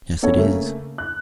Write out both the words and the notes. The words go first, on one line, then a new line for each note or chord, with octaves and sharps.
"Yes, it is."
B3 C#4 A4 C#5
C#3 A3 A#3
F#6